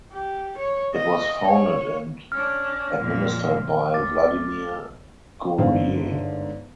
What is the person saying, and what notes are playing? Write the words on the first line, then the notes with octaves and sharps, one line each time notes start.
It was founded and administered by Vladimir Guerrier.
G4
C#5
D#5
C#5
C#4 D4 F6
F2 A#2
D2 D6 A6
G1 G#2 D3 C5 F5